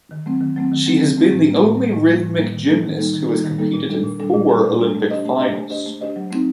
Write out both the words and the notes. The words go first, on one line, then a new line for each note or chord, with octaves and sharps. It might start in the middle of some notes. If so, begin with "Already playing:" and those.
She has been the only rhythmic gymnast who has competed in four Olympic Finals.
D#3
F#3 A3 C4
D#3
F#3 A3 C4
D#3
F#3 A3 C4
D#3
F#3 A3 C4
A2
G3 A#3
A2
G3 A#3
A2
G3 A#3
A2
G3 A#3
D#3
G3 A#3 D#4 A4
D#3
G3 A#3 D#4 A4
D#3
G3 A#3 D#4 A4
D#3
G3 A#3 D#4 A4
A#2
G3 D4 A4
A#2
G3 D4 A4
A#2
G3 D4 A4
A#2
G3 D4 A4
A3
D4 G4 C5 D#5
A3
D4 G4 C5 D#5
A3
D4 G4 C5 D#5
A3
D4 G4 C5 D#5
F#3
A3 C4 D#4